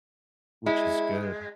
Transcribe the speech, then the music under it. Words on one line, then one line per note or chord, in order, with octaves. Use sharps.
Which is good.
G#3 E4